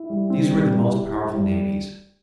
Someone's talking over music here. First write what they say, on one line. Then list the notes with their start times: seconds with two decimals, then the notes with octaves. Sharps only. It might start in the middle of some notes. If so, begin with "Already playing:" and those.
These were the most powerful navies.
Already playing: E4
0.10 G3
0.30 C4
0.50 G3
0.72 E4
0.92 G4
1.13 E4
1.34 G3